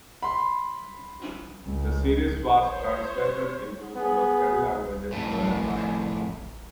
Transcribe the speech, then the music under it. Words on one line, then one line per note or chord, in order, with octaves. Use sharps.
The series was translated into over ten languages worldwide.
B5 C6
C#2
C5 C#5
B3 G#4
F2 A2